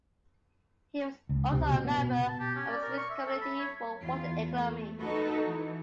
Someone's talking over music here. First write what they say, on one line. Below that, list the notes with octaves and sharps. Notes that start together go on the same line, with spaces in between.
He was also a member of the Swiss Committee for Water Economy.
C#2
C3
B2
B3
B2
A5
G4
C#4
D5
A#4
C#6
E5
A4
B5
C#5
E2 F4
A3
D#4 F#4 A4 B4
E3